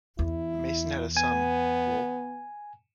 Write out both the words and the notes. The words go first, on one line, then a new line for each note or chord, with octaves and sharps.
Mason had a son, Lol.
E2 E4
B3 G#5